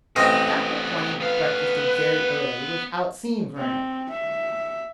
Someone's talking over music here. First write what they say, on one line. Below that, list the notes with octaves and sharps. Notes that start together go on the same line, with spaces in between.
Dr Corney breakfasted very early, without seeing Vernon.
A1 C3 B3 C4 D#5
B3 B4 F5
C4
E5